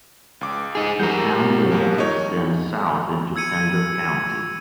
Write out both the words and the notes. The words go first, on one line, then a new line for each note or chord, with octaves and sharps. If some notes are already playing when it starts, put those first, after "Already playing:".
The town limits extend south into Pender County.
C#2 D6
D#4 G#4
G3 A#4 F#5 G6
D#2
D#4 C#5
E6 G#6 C#7 D#7